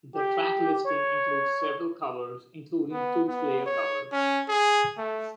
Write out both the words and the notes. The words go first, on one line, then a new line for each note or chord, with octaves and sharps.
The track listing includes several covers, including two Slayer covers.
G4
C#5
B3
B3
C#5
C#4
G#4
A3